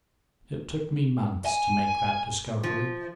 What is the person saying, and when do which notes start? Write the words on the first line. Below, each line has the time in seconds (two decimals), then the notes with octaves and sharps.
It took me months to make that discovery.
1.45 G#5
2.63 F3